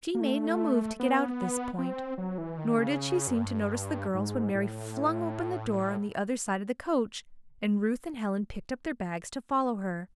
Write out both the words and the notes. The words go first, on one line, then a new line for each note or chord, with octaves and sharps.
She made no move to get out at this point, nor did she seem to notice the girls when Mary flung open the door on the other side of the coach, and Ruth and Helen picked up their bags to follow her.
A#3
A3
B3
C4
F#3
E3
D#3
C#3
F#2
G2
G#2
A2